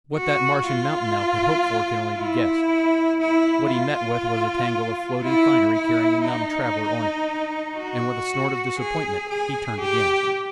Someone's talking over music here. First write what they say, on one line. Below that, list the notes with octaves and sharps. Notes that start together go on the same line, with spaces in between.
What that Martian mountain elk had hoped for can only be guessed, what he met with was a tangle of floating finery carrying a numbed traveller on it, and with a snort of disappointment he turned again.
F#4
F4
E4
E4
F4
E4
E4
D#4
F#4
G#4
G#4
G4